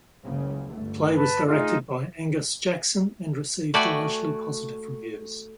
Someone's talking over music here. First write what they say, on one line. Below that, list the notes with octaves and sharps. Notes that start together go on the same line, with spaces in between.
The play was directed by Angus Jackson and received largely positive reviews.
F#1 C#2 C#3
G1 A3
B4 A5
A3 D#4 F4 G#4
A3 F#4 B4 D5 G5 G#5